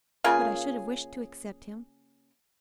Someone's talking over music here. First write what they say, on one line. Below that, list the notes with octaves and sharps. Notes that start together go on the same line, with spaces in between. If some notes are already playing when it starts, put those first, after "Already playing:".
But I should have wished to accept him.
C#3 A#3 F4 G#4